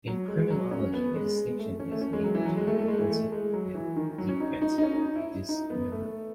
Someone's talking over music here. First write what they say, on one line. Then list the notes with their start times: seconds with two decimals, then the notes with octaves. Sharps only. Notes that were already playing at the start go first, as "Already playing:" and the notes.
In criminology, a distinction is made between offensive and defensive dismemberment.
0.07 F#3
0.28 G#3
0.50 F#3
0.71 C#4
0.94 B3
1.15 G#3
1.37 G#3
1.59 A3
1.80 C#4
1.91 A3
2.01 C#4
2.13 G#3
2.24 F#3
2.35 E3
2.46 F#3
2.57 G#3
2.67 A3
2.78 A3
2.88 G#3
2.99 E3
3.10 A3
3.32 G#3
3.54 F#3
3.75 E3
3.96 D#3
4.18 F#3
4.29 C#4
4.40 D#4
4.62 D#4
4.78 D#4
4.83 C#4
4.94 D#4
5.06 D#4
5.16 E4
5.49 D#4
5.70 B3
5.92 A3